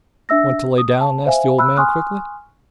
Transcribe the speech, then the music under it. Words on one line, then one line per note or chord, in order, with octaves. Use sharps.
"Want to lay down?" asked the old man quickly.
D4 E5 E6 A#6
D#6
A5
C5 E5 F5 G#5
B5 E6 F#6
G#5 C6 C#6 D#6 F6 F#6